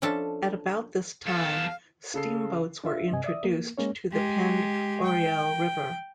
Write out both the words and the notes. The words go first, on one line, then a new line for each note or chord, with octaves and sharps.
At about this time, steamboats were introduced to the Pend Oreille River.
F3 C#4 D4 A4 E5 A5
E2 A4 F5
C#3 A4 C7
D4 F4 E5
G2 C3 D#5 G#5
D5 E5 D#6
A#3
G#3 A#3 C#4 C#5
G#3 G4
G5